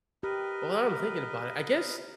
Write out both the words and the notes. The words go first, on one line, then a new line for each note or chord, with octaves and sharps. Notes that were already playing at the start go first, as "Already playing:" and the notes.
well now that I'm thinking about it, I guess,
G4 A#4 B4 D#5